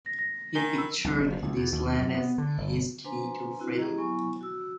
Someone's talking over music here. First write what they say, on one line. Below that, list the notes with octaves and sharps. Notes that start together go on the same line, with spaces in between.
He pictured this land as his key to freedom.
A#6
A#6
D#3 G#5 A#6 G7
B5 E6
C2
F#1
C#2
E2
D#2
F#2
B3
D3
G1
D4 B4 C5 G#5 A#5 C6
C4 E4 F#4
E4 G4 G#4 D#5 A#5
F#3 B3 E4 G#5 C#6
F#4 E6